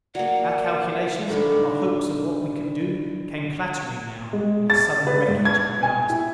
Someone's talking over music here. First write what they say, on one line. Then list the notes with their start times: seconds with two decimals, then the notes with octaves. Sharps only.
Our calculations, our hopes of what we could do, came clattering now in a sudden wreckage around us.
0.15 F#3 A#3 D5 F#5
1.27 A2 D3 D#3 G3 A3 A#3
4.33 G#3
4.70 A6
5.07 B4
5.28 G#2
5.45 G#6
5.83 G#5
6.09 E4